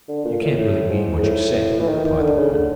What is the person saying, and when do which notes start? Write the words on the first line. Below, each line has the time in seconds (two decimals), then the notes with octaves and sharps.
'You can't really mean what you say?' replied the woman.
0.08 D3
0.25 A#2
0.41 A2
0.57 A2
0.90 G#2
1.18 G#2
1.23 A2
1.80 E3
1.88 D#3
2.04 D#3
2.20 D3
2.36 C#3
2.53 D3